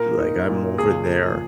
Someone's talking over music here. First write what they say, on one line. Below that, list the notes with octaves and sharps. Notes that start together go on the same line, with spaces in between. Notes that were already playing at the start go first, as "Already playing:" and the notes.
Like, I'm over there
Already playing: A#2 A#4
D#4
A#2
C#2 G#4
F3